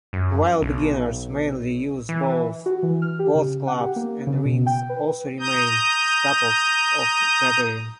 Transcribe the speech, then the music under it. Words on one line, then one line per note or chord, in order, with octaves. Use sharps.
While beginners mainly use balls, both clubs and rings also remain staples of juggling.
F#2
B1
E3
F#4
E3
F6
G4
C#3
F#5
G4
A#3
C#3
B2
G5
B4
A#5 D#6 G6